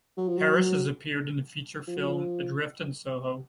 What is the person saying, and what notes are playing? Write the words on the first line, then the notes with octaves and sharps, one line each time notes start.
Harris has appeared in the feature film "Adrift in Soho.".
F#3
F3
F#3
F3
F#3
F3